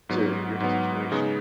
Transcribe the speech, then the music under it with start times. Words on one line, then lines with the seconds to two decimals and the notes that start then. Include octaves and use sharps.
to your situation.
0.09 G#2 F#3 B3
0.60 G#2 F#3 B3
1.12 C#3 G#3 B3 D#4